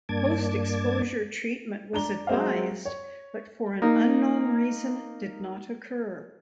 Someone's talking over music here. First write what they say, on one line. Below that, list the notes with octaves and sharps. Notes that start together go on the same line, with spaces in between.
Post exposure treatment was advised but for an unknown reason did not occur.
G2 A#3 D4 A5 D6 G#6
D4 A#5 G7
F#3 G#3 C4 E5 F5
C#5
A#3 D#4